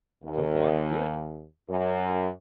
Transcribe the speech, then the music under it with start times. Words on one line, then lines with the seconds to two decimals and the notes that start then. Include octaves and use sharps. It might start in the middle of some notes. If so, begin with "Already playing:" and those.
So far, good!
0.24 D#2
1.69 F#2